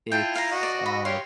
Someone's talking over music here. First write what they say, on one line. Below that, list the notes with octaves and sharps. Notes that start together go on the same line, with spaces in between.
it's, uh
E4 F4 G5 A5
F5 A#5
F#4 D#5
D5
B5
G4 C#5 F5 C6